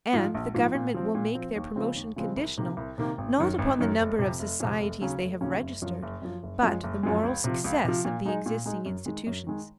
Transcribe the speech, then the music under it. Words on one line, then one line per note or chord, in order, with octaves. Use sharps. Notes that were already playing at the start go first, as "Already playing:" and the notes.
And the Government will make their promotion conditional, not upon the number of societies they have registered, but the moral success of the existing institutions.
G#2 F3
A#1
G#2 F3
A#2
F3 C4
A#2
F3 C4
D#2
C#3 F3 G#3 C4
D#2
C#3 F3 G#3 C4
C2
C3 D#3 A#3
C2
C3 D#3 A#3
G#1
F#2 D#3
G#1
F#2 D#3
F1
F2 C3
F1
F2 C3
F1
D#2 C#3 F#3 C#4
F1
D#2 C#3 F#3 C#4
F#1
F#2 F3
F#1
F#2 F3
F#1
F#2 F3 G#3
F#1
F#2 F3 G#3
C#2
C3 F3
C#2
C3 F3
A#2
G#3 D#4 G#4
A#2
G#3 D#4 G#4
F#2
D#3 G#3
F#2
D#3 G#3